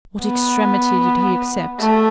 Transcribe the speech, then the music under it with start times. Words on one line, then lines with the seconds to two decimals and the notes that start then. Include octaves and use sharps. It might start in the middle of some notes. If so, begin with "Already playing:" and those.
What extremity did he accept?
0.21 B3
1.80 A3